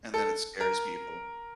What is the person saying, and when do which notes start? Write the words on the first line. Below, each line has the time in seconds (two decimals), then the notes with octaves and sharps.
And then it scares people.
0.14 A4
0.61 A#4